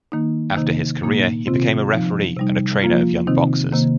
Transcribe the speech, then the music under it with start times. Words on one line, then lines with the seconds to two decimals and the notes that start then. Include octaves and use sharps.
After his career, he became a referee and a trainer of young boxers.
0.12 D#3 A#3 D#4
0.57 C3 D#3 A#3 D#4
1.02 A#2 A#3 D#4
1.47 C3 D#3 C4 F4
1.92 F3 D#4
2.37 C3 G3 D#4
2.82 F3 A#3 F4
3.27 C3 D#3 C4 D#4
3.72 C3 D#3 A#3